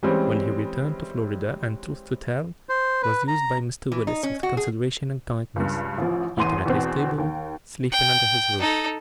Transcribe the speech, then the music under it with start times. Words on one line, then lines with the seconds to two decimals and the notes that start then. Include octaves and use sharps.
Well, he returned to Florida, and, truth to tell, was used by Mr. Willis with consideration and kindness, eating at his table, sleeping under his roof.
0.03 E3 G3 G#3 C4 C#4
2.69 C5
3.03 B4
3.28 A#5
3.92 E3
4.07 D#4
4.23 C#4
4.43 F#4
4.57 G#4
5.56 C#2 G2
5.98 A1 F3
6.37 A1 E2 C6 D#7
6.66 E2 B2 C4
7.18 D#2 G5
7.91 G5
8.60 D#4 A4